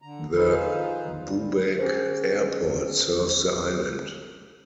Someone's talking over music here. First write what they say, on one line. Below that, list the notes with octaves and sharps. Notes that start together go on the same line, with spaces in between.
The Bubaque airport serves the island.
D3 A#5
D#4 F4 G#4 B4 C5 F5
G3
C#4 G#4 A#4 C5